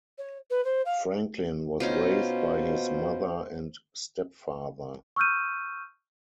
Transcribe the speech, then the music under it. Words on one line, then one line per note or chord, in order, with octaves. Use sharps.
Franklin was raised by his mother and stepfather.
C#5
B4
C5
F5
B2 C#4 D#4 F4 C5
C#6 E6 F6 G6 D#7